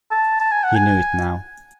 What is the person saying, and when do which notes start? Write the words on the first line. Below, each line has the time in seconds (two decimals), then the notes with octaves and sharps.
He knew it now.
0.11 A5
0.40 A5
0.51 G#5
0.64 F#5
0.75 G#5